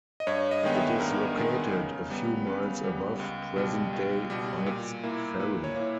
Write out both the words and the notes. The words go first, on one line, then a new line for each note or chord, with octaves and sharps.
It is located a few miles above present-day White's Ferry.
D#5
G2 C#5
D#5
D#3 G#3 B3 G5
E5
G2 A#4
D#3 G#3 B3
C#3
G3 B3
C#3 B4
G3 B3
C#2
B2 G3
C#2
B2 G3
A#2
A#3 E4
A#2 B4
C#5
A#3 E4